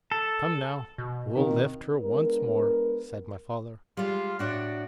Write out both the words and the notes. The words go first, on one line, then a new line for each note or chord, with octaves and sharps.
"Come now, we'll lift her once more," said my father.
A4
B2
D#3 C4 D#4 F5
G#3 B3 D4 A#4
G3 G#3 F4
A2 D4 F#4 D5